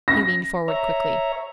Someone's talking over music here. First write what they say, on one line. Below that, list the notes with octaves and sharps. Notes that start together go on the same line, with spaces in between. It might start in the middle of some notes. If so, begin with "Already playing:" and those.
He leaned forward quickly.
A#6
C#5 E5 A#5